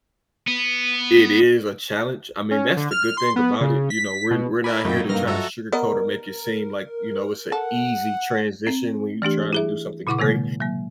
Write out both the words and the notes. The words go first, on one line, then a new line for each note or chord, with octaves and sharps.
it is a challenge, I mean, that's the good thing about it, you know, we're we're not here to try to sugarcoat or make it seem like, you know, it's a easy transition when you try to do something great,
B3
C#4
D3
F6
C6
B3
C#3
B6
B2
E4 A#4 G#5 B5 D6 A6
F#2 A2 C3 D#3 F#3 A#3 G5
G2 A#3 D#4 B4 F6 A#6
F#3 F4 F#4 A4 D#5 E5 A#5 E6
B3 A#4 D5 D#5
A4 F#5
C4
E3 A3 D4 G4
E4 G#4 E5
A#2 C#3 E4 F#5 C#6 D6
C3 D#3 G#3 A#3
F#3 A#3